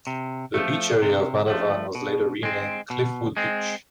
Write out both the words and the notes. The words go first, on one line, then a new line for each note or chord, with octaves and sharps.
The beach area of Matavan was later renamed Cliffwood Beach.
C3
F3 A3
C3
F3 A3
B2
G#3 C4
B2
G#3 C4